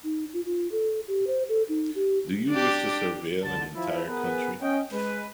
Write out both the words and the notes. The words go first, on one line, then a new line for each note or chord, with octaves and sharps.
Do you wish to surveil an entire country?
D#4
F4
F4
A4
G4
C5
A4
D#4
G4
D4 G4
C#2 D3 A5
F3 E4
B3 G#4 A#4 B4
C#4 D#5 G5
G#3 B4